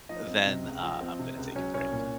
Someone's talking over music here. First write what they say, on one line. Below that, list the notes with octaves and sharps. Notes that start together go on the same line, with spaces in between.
uh, then, uh, I'm gonna take a break.
F3 D#4 D#5
C4
C3
C#2
F3
C4
C3
C#2
F#3 C#4 C#5
C2 C#4 C#5
A#2